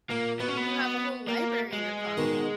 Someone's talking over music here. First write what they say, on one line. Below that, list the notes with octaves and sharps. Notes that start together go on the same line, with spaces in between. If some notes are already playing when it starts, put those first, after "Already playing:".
Do you have a whole library in your pocket?
A#2 A#3
B2 B3
C#4
B3
A#3
G#3
B2 D#3